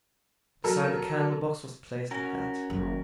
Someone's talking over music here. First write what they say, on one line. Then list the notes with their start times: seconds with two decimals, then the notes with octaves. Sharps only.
Beside the candle-box was placed a hat.
0.64 F#3 A4 A#4
2.11 C#4 F#4 A#4
2.70 F#1 D#3